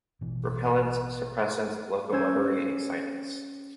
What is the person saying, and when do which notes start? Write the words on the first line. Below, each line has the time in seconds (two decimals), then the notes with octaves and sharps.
Repellents, suppressants, locomotory excitants.
0.21 A1 B2 E3
2.12 C#4 C5 E6 G#6